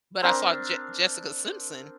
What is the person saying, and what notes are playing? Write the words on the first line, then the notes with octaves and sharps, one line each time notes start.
but I saw Jes Jessica Simpson
C4 D4 A#4 D6